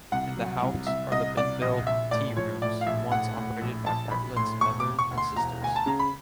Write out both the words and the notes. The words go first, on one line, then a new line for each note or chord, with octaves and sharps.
In the house are the Benville Tearooms, once operated by Bartlett's mother and sisters.
C2 F#5
F#3
C2
C2 E5
C2 D#5
C2 D5
A#1 D#5
A#1 E5
A2 D5
F3 C#5
A2 D5
F5
A#1 E5
A2 F#5
A2
A#1
A#1 A5
A#1 B5
A2 C6
E1 C#6
D6
E1
C#6
D2
C6
E1 A#5
D2 G#5
A5
C#3 A#5
B5